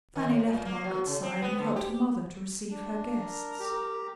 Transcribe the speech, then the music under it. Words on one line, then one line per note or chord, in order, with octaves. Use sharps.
Fanny left Margaret's side, and helped her mother to receive her guests.
D#3
A2
A#2
A#3
F#3
C#3
C4
B3
D3
G4
D4
A#4 A#5
G4